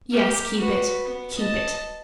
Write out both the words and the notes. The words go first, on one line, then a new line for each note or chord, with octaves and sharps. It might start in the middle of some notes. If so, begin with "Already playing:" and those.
"Yes, keep it--keep it."
G4 A#4
F#4 B4
B3
D#5 A5